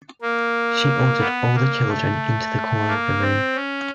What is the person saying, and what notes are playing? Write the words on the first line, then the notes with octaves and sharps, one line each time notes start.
She ordered all the children into the corner of the room.
A#3
B3
A#3
A3
A#3
C4
C#4